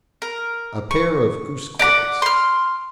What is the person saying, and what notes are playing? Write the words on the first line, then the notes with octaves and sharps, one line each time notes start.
"A pair of goose-quills."
A#4
C#6
D5 F#5 A#5 D6
C6 F6